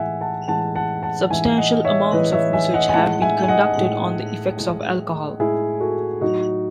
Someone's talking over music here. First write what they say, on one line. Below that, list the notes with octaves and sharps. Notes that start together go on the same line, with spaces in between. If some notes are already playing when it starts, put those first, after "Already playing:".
Substantial amounts of research have been conducted on the effects of alcohol.
Already playing: A2 E3 G#3 E5 F#5 G#5
F#5 A5
A2 E3 G#3 F#5 A5
F#5 A5
F#5 A5
A2 E3 G#3 E5 G#5
D#5 F#5
C#5 E5
A2 E3 G#3 B4 D#5
C#5 E5
E5 G#5
D#5 F#5
G#5
A2 G#3 F#5 A5
E5 G#5
G#5
D#5 F#5
A2 G#3
A2 G#3
A2 G#3 E4 G#4
F#4 A4
A2 F#3 D#4 F#4